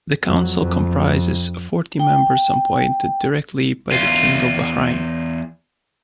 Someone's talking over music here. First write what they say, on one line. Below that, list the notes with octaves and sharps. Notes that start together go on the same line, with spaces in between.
The Council comprises forty members appointed directly by the King of Bahrain.
F2 F#3
F2
G5
E2 F4